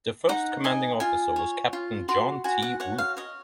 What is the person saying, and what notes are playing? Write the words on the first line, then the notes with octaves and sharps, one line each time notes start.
The first commanding officer was Captain John T. Rouse.
D#4 F#5
D#5 G#5
F4 G#5
C#5
F4
F#4 C6
F#4 G#5
F#5
C#5 F#5
F5
C#5 D#5